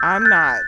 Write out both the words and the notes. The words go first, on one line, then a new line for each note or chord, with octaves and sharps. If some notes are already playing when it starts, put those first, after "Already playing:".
I'm not
Already playing: E6 G6 A6
G6
F#6 A6